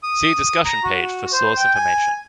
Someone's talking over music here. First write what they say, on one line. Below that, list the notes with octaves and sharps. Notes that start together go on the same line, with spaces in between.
See discussion page for source information.
D#6
A#5
F#4
C5
G5
G#5